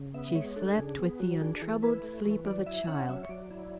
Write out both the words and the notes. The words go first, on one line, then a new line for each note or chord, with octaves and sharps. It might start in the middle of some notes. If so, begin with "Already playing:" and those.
She slept with the untroubled sleep of a child.
Already playing: C#3
B3 E5
G#3 C#5
D4 A4
C#3 G#4
B3
F#3 F#4
D4 G#4
E3 A4
E4 B4
A3
E3
F#3 D5
E4 E5
C#4 F#5
F#3 E5
C#5
F#3 D5
E4